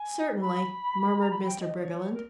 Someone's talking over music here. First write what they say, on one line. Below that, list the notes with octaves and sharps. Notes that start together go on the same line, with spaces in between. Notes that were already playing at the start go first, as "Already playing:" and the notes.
"Certainly," murmured Mr. Briggerland.
Already playing: G#5
B5
A#5
B5
G5
D#5
C#5
A#4